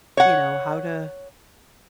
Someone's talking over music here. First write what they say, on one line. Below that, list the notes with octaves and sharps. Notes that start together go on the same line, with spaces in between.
you know, how to
C#5 F#5